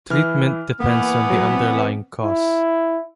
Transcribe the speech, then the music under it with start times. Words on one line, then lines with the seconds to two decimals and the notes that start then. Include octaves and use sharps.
Treatment depends on the underlying cause.
0.10 E3 E4 F6
0.80 E3 A#3 B3
1.30 F#3
1.51 C4
2.23 E4